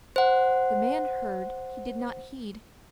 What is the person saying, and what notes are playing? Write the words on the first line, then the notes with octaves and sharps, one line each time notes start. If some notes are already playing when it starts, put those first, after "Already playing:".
If the man heard, he did not heed.
C5 F#5